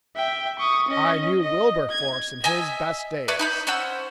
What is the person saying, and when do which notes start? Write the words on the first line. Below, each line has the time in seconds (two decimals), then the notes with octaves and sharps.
I knew Wilberforce in his best days.
0.16 E5 G5
0.59 C#6 D#6
0.89 C#4 D#5
1.40 D#5
1.91 G#6
2.44 D#5 E5 G#5 E6
3.28 B4 C#5 D5 E5
3.39 D#4 B5 G6
3.67 C#4 C5 F#5 E6